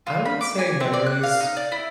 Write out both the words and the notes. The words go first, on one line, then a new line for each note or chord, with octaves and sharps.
I would say memories
F4
B5
D6
G#5
C4
D5
F#6
F5
D#4
D5
E4